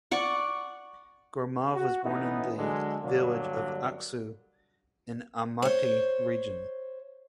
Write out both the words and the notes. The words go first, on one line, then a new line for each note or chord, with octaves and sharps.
Gromov was born in the village of Aksu in Almaty Region.
D5 F#5 C#6
F#4
A1 E3 B3 D#4 E4
D3 F#3 G#3
G2 D3 F#3 G3 A#3
C5 C#5